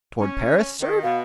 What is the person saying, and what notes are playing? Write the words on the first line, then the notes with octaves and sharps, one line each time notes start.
"Toward Paris, sir?"
C#4
D#3
B2 F5